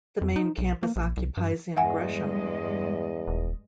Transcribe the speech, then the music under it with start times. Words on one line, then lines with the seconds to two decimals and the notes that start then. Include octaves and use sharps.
The main campus occupies in Gresham.
0.21 F2
0.36 D#4
0.58 B1
0.83 A#3
0.96 A#1
1.17 C2
1.37 G2
1.77 E2 G2 G#3 D#5 E5 F#5 G#5
3.28 D#1